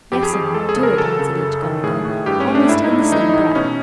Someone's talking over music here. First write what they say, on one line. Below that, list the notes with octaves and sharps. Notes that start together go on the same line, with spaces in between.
"Yes'm, I'll do it," answered each girl again, almost in the same breath.
F2 G4
G#4
F2 G#4
G#3 A4
G#4
C#3
A#4
F#3 A4
C#3
F#2
D#3
A2 G#4
A2
G2 G4
C#4
A3
D4
G#2 E4
D#4
A3
D4
E3 D#4
E4
A2 D#4
B2 C#4